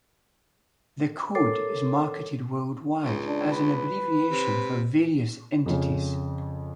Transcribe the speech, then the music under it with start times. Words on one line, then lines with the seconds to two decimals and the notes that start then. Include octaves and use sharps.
The code is marketed worldwide as an abbreviation for various entities.
1.35 A4 A#4 C#5 D6 A6 C7
3.04 C#2
3.26 D4
3.52 B4
4.31 C3
5.66 F2 C#3